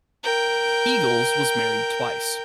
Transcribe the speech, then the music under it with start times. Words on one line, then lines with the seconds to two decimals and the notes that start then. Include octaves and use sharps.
Eagels was married twice.
0.23 A#4 G5